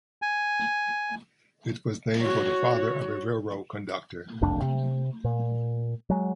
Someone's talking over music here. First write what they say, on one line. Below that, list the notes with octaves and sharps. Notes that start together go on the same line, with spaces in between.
It was named for the father of a railroad conductor.
G#5
F#4 C#5
F#1 C2 F2 D4
C3
A#2
F#3 G#3